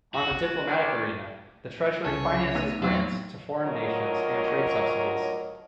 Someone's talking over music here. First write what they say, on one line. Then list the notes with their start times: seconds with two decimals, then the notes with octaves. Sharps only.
On the Diplomatic arena the treasury finances grants to foreign nations and trade subsidies.
0.14 F#4
0.67 D2 D4 D5
2.05 C2 C#3 A4 C#5 G#5
2.55 E3 A3 B3 D#4
2.82 E2 F#3 C4 E4 F4
3.62 D2 F#3 F4 A#4 C#5 D#5